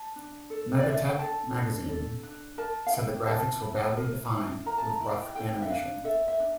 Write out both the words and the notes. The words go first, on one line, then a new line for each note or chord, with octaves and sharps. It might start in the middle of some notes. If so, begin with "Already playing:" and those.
"MegaTech" magazine said the graphics were "badly defined with rough animation".
Already playing: A5
D4
A4
D5
D4 E5
F5
G5
A4 A5
D4
A4
D4
A#4 A5
F5
E4 G5
A#4 A5
E4
A#4
E4
A#4 A#5
A5
A#5
E4
G5
A4 G5
E5
D4 F5
A4 E5
E5
D4